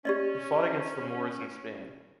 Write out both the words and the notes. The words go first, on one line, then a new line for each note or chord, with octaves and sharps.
He fought against the Moors in Spain.
C#4 G4 D5 D#5